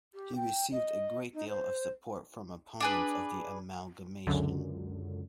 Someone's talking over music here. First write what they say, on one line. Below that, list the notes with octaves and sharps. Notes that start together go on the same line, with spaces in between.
He received a great deal of support from opponents of the amalgamation.
G4
G5
D#5
D#4
C5
D4 G#4 B4
C#2 F#2 D3